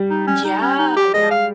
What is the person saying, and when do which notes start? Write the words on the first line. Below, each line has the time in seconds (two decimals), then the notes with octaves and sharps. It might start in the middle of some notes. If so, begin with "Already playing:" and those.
Yeah, yeah.
Already playing: G3
0.10 D#4
0.27 C#4
0.45 D#4
0.62 C#4
0.79 D#4
0.96 G4
1.14 G#3 D#5
1.31 F5